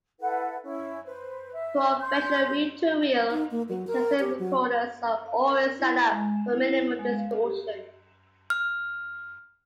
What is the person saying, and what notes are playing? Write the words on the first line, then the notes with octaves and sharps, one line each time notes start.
Professional reel-to-reel and cassette recorders are always set up for minimal distortion.
E4 A4 B4 F#5
C#4 E4
B4 C5
E5
C6 G6
D#4
A#3
F#3
A#4
G4
F#3
F5
A#4
E4
G#3
E4
G#3
F5
G4
F6